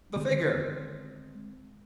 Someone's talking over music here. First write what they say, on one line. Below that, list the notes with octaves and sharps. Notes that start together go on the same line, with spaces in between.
The figure!
D3 D#3 G#3 B3 C4 D#5